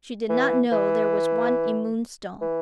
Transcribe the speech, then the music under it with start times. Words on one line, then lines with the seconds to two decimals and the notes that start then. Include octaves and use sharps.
She did not know there was one in Moonstone.
0.29 E3
0.72 E3
2.41 E3